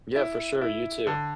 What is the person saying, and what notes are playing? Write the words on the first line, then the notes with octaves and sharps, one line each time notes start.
Yeah, for sure, you too.
E4
E4
D3